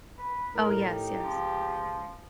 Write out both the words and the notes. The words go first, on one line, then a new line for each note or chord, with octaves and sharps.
Oh, yes, yes.
B4
A2 D#4 A#4
G4
C#2 F3